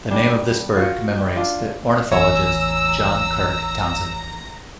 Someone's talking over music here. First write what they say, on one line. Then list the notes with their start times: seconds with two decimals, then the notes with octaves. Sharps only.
The name of this bird commemorates the ornithologist John Kirk Townsend.
0.11 G3 D4
0.77 F4 F#4
1.18 G3
1.36 D4 F4
2.12 A1 E2 C#5 G#5 A#5 E6